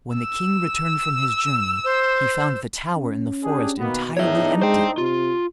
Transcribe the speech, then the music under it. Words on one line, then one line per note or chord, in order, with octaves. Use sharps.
When the king returned from his journey he found the tower in the forest entirely empty.
E6
C5
C#4
D4 G4 G#4
B2 D#3 A#3 B3
E2 A2 D4 D#4 C#5 E5
G#3 C5 G5
C3 F4